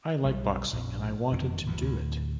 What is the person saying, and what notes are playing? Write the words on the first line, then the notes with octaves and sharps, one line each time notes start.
I like boxing and I wanted to do it.
B1 B2 G3
A#1 A#2
F#1 F2 D#3
G#1 E2 E3 F3
D2 A2